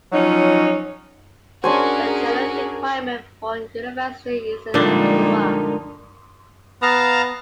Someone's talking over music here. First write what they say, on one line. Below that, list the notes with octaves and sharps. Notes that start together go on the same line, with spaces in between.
The general requirement for university is the Matura.
F3 F#3 C#4 D#4
C#4 D4 F#4 G#4 A#4 C5 C#5 G#5
A#2 D3 F3 G3 G#3 A#3 D4 D#4
B3 F5 A5 A#5